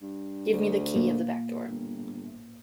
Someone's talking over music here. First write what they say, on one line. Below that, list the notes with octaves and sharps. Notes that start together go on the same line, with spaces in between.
Give me the key of the back door.
G2
D2
A#3
G1